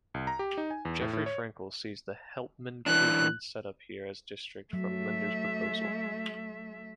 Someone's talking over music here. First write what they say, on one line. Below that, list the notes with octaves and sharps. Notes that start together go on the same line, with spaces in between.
Jeffrey Frankel sees the Helpman-Krugman setup here as distinct from Linder's proposal.
C2
A#5
G4
D#4
G#5
E2
A2
A2
C#5
E3 D4 F#6
F#3 A3 E5